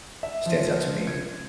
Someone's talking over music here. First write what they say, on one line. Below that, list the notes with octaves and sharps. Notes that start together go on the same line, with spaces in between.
stands out to me.
E5
F3
G#6